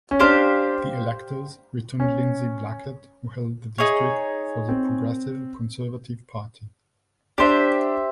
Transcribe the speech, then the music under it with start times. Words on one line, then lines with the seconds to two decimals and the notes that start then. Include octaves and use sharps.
The electors returned Lindsay Blackett who held the district for the Progressive Conservative Party.
0.11 C#4
0.20 D4 G4 C5 F5
2.00 C#4
3.78 D#4 G#4 C#5
4.69 C4
7.38 D4 G4 C5 E5